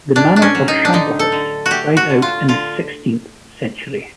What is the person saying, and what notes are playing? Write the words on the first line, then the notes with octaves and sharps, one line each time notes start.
The Manor of Shamblehurst died out in the sixteenth century.
A2 D4
D4
C#4
F#3
D#4
D4
D3 D#4
A4
D3
F#4
A3 G4
F#4
D3
F4
D3 F4